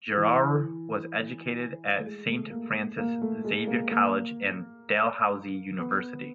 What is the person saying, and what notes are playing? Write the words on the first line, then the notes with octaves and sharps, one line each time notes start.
Girroir was educated at Saint Francis Xavier College and Dalhousie University.
E3
A3
G#3
A3
A#3
A#3
A3
G#3
A#3
A#3
B3